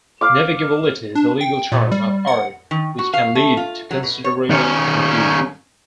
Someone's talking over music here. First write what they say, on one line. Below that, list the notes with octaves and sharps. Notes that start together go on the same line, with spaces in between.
'Navigability' is a legal term of art, which can lead to considerable confusion.
F5 D6
D4
G5
A#2
G3
F#5
D#3
F#4
F5
A3
F4
F#3
B2
C#5
D#3 C#4